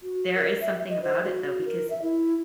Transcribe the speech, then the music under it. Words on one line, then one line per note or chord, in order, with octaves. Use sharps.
there is something about it, though, because
F#4
A#4
E5
D#5
C5
F#4
A#4
E5
E4